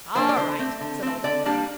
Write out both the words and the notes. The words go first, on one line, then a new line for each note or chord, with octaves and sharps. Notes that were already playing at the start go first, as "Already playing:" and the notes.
"All right," said old Anthony.
F3 A#3 D4 C5
D5
D3 C5
A3 C4
D3
A3 C4
D3 D5
G3 A#3 D4